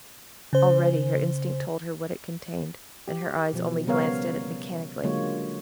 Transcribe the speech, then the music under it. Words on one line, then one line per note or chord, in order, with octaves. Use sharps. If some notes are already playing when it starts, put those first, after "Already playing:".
Already her instinct told her what it contained, and her eyes only glanced at it mechanically.
C#3 C5
G4
B2 F3
C#3 G3 B3 A#4 C#5 F5
D3 F#3 G#3 A#3 F4 C#5